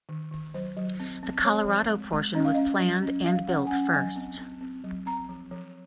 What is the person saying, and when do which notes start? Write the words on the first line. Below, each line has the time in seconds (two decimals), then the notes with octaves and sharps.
The Colorado portion was planned and built first.
0.09 D#3
0.31 D#3
0.54 F#3 C5
0.77 F#3
1.00 C4
1.23 C4
1.45 C4 C#5
1.68 F3
1.90 G#3
2.13 G#3
2.35 C#4 D#5
2.45 F5
2.54 C#4 D#5
2.80 F#3
3.03 C#4
3.25 F#3 F5
3.48 C#4 F#5
3.67 G#5
3.70 C#4 F#5
3.93 F#3 G#5
4.16 C4
4.39 C4
4.61 C4
4.84 F#3
5.06 C4 A#5
5.29 F3
5.51 F3